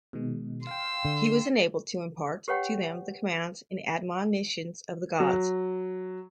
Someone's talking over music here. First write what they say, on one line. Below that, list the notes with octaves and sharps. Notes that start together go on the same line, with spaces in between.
He was enabled to impart to them the commands and admonitions of the gods.
B2 D#3 G#3
F5 G5 C6 E6
D3
G4 B4 C#5 F#5 G5
F#3